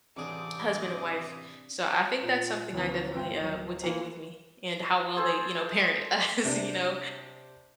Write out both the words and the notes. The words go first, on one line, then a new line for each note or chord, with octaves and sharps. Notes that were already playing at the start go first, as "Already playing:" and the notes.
husband and wife. So, I think that's something I definitely, uh, would take with me, and how well they, you know, parent us, you know,
A1 C3 C4 D4 G#4 D6 D#6
A#2
D2 E3 F#3 B3 C#4
G1 C4 F4 G5
D1 F#3
E3 A#3 F4
G#4 A4 C5 G#5
C3 D4